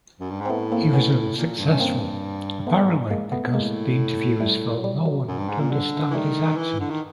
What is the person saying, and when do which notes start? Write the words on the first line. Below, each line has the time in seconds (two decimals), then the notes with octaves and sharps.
He was unsuccessful, apparently because the interviewers felt no-one would understand his accent.
0.20 F#2
0.30 G2
0.41 G#2 C4
0.50 A2 A3 B3
0.72 A#3 C4
0.93 B3 C#4
1.37 A#2
1.58 G2
1.72 C#4
1.80 A#3 C4
2.67 G#2 A3 B3
2.81 G#2
3.10 G#3 A#3
3.32 A3 B3
3.45 B3
3.53 A2 G#3 A#3
4.40 G3 A3
4.77 F#3
4.84 G3
5.06 F#3
5.27 F#2
5.38 G2
5.49 G#2
5.60 A#2
5.70 D3 G3
6.11 E3
6.14 D#3 G3 A3
6.57 E3
6.80 D3
6.90 D#3